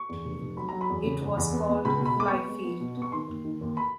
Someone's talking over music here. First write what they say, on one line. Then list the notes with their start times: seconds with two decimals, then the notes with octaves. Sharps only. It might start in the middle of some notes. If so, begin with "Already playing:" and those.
It was called "Fly Field".
Already playing: C#6
0.09 E2
0.25 F1
0.41 F1
0.57 F#3 B5
0.68 F#3 A#5
0.81 B5
0.90 E2
1.05 C#3
1.22 E2
1.37 E2
1.53 B3
1.69 B3
1.85 C#2 B5
2.00 B2
2.05 B5
2.16 G#3 D6
2.28 B3 C#6
2.48 G#3
2.64 B3
2.80 B2
2.97 B3 C#6
3.12 D#3 C6
3.28 D#2
3.45 D#3
3.61 D#2
3.77 B5